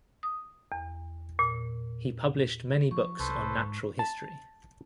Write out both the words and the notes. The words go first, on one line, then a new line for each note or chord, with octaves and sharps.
He published many books on natural history.
D#6
E2
A#2
F3 C#6
C2 A4 B4 C5
G#2
A5